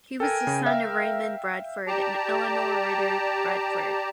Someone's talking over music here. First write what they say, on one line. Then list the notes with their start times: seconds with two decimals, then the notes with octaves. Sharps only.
He was the son of Raymond Bradford and Eleanor Ritter Bradford.
0.20 A4 A#4 G5 G#5
0.47 C#3
0.66 A#4 E5 F5 G5
1.87 G4 D5 A5 A#5